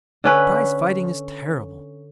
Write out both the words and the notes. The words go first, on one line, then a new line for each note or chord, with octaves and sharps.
Prize-fighting is terrible.
D3 C#4 B4